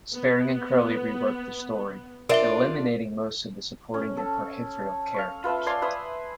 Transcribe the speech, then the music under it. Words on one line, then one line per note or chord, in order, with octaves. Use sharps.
Sperring and Crowley reworked the story, eliminating most of the supporting and peripheral characters.
B3
D4 F4 A#4 D5 E5 G7
C#4
A4
F5 C#6
F4 B4 E5 A5
D5 F5 G#5 C6
B4 E5 C6 D#6